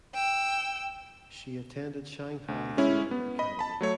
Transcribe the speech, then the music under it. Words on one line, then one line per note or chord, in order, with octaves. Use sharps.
She attended Shanghai Theatre Academy.
G5 E6
D2
G#3 C#4 E4
B3
D#5 B5
A5 B5
F#3 A3 C#5